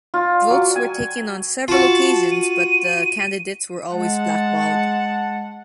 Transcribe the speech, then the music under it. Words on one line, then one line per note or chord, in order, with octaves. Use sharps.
Votes were taken on several occasions, but the candidates were always blackballed.
F4
F#3
G#5
F4 F#4 A5
D#7
G#3 F#5 A5